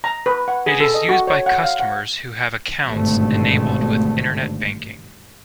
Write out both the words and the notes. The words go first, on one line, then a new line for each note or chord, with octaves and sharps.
It is used by customers who have accounts enabled with Internet banking.
A#5
B4
F#5
G#4
A4
D#5
F#4
C#5
F#5
F5
F#5
G#1 G2 B2 D3 A3